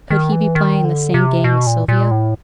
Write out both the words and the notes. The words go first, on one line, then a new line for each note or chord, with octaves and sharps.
Could he be playing the same game with Sylvia?
D#3
E3
D#3
D3
C3
B2
A#2
A#2
A2